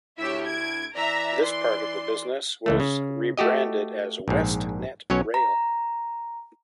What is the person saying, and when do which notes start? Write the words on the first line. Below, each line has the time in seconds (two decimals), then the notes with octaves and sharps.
This part of the business was rebranded as WestNet Rail.
0.18 D2 E4 G4 C#5 E5
0.47 G#6 D7
0.96 E3 D5 E5 A#5
1.44 C6
2.66 C#2 E3 A3
2.80 C#3
3.38 A3 F#4 G4 D#5
4.28 A#1 G#2
5.10 B1 F#3 C#4 C#5
5.34 A#5